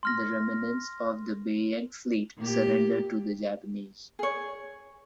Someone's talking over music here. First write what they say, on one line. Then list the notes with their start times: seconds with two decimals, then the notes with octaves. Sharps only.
The remnants of the Beiyang Fleet surrendered to the Japanese.
0.03 C6 F6 A#6
2.37 A#2 G4
4.19 G#4 C#5